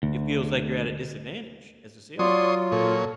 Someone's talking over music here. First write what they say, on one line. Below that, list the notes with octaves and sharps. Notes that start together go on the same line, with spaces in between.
it feels like you're at a disadvantage as a salesperson.
D2
F#3 F4 C#5 D5 C6 D#6
A#2 A4 C#5